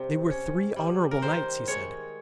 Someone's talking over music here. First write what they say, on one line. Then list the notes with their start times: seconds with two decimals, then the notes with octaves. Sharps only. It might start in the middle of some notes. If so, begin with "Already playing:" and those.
'They were three honourable knights,' he said.
Already playing: C3 G3
0.30 C#4
0.76 G3
1.11 A#4
1.22 D#3 C5
1.68 G#3 C#5